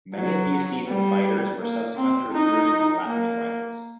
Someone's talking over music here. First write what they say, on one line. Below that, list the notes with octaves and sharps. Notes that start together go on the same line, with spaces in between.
Many of these seasoned fighters were subsequently recruited into the Latvian Rifles.
F#3
G3
A#3
C4
D#4
A#3